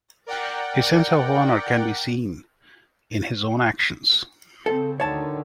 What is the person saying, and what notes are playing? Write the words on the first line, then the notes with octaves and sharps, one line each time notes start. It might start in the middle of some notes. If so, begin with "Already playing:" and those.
His sense of honor can be seen in his own actions.
A#4 D5 F#5 G5
C#3 C4 A4
D2 D3 D#3 C#5 A5